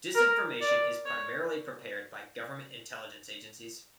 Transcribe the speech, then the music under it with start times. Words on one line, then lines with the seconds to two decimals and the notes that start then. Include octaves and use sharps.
Disinformation is primarily prepared by government intelligence agencies.
0.15 A#4
0.61 D5
1.06 C#5